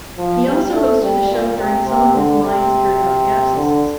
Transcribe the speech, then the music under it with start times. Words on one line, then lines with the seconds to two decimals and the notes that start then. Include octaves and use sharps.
He also hosted the show during some of Ms. Lyons' periodic absences.
0.17 F3
0.46 G3
0.74 A3
1.02 G3
1.30 A#2
1.58 C3
1.87 C3
2.15 D3
2.43 C3
3.56 D3